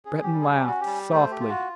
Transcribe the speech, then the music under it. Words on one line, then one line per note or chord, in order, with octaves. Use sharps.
Breton laughed softly.
C#4 G#4
G4
G3
G#4
C#4 G4
F#4
G4
G3
A3 C5
G4
F4
F#4